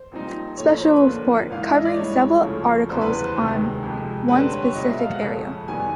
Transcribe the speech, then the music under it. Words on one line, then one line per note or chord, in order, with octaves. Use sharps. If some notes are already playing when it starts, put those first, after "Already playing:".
Special Report: Covering several articles on one specific area.
Already playing: C5
A#1 A#2 G3 C4 D#4
A#1 A2 F3 A3 C#5
C#5
C5
B4
D#2 D3 F3 A#3
G#1 G#2 E3 F5
E5
D#5
D5
G2 E3 G#3 C#5
D2 C#3 F3 A3 C#4
F1 E2 C#3 E3 G3 C5
B4
B4
C5
E1 D2 C3 D#3 G#3
F2 C3 F3 G#3
G2 D3 G3 C4 B4
C5
C#5
C#5
C#2 B2 G3 D#5
E5
F5
F#5
F2 C#3 F3 A3 C#4
G1 F#2 D#3 G3 B3 G#5